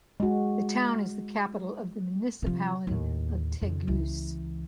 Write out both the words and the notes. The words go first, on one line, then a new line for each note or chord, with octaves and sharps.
The town is the capital of the municipality of Teguise.
G#3 F#4
C3 F3
D#2 A2
F2 C#3
C#2 E3